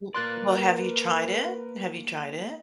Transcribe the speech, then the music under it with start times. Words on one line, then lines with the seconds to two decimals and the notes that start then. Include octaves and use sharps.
W well, have you tried it? Have you tried it?
0.14 A#3 F4 A#4 B4 D5 C6 F#6 A6